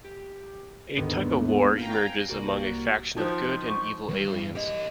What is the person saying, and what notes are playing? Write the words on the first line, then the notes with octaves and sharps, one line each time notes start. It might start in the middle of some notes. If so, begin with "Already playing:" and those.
A tug-of-war emerges among a faction of good and evil aliens.
G4
D#2 G#2 D3 D#3 B3
F5 G5 G#5 A#5
C2 A#3 F#4 D5
D#3 F3 D#4 F4 C5
C#6
E2 G2
G4 D#5